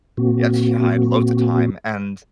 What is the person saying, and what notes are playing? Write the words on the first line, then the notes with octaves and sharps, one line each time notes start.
yeah, I had loads of time. And
A#2 A#3 C4 F#4